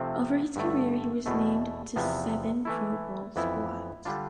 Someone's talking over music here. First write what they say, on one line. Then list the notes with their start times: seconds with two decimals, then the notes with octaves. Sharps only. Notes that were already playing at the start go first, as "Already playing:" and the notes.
Over his career he was named to seven Pro Bowl squads.
Already playing: C3 F3 A3 C4
0.56 G2 D3 A3
1.26 E2 B2 A3
1.96 E2 C3 F3 B3
2.65 E3 A3 E4
3.36 F2 E3 B3 E4
4.05 D3 G3 D4 F4